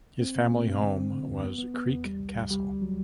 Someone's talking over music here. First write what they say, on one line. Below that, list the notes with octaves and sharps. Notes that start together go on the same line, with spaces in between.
His family home was Creich Castle.
C4
B2
A3
C4
D3
C4
D3
E2
B3
B3
B3
E2
G3
C2
C2
G3
D2
F#3